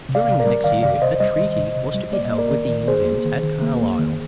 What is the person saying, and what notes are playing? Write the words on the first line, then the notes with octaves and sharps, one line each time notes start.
During the next year, a treaty was to be held with the Indians at Carlisle.
C3
D5 F5
C3
A#4 D5
G3
D#3 D5 F5
C3 D5 F5
C3 C5 D#5
G3 C5 D#5
D#3
C3
C3
G3
A#3 D5
D#5
A#3
A#4 D5
D#3
D#3
A#3 G#4 C5
A#3
D#3
D#3
A#3
A#3
D#3